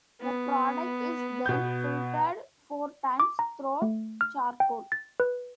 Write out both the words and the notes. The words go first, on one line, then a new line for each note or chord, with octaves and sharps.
The product is then filtered four times through charcoal.
B3
B2 G6
D6
A#5
A3
F6
G5
A6
B4